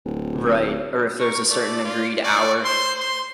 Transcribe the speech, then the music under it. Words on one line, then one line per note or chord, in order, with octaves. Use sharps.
Right. Or if there's a certain agreed hour.
D1
A#4 C#6
A3 D5
F4
D5 C#6
C5 C6
C6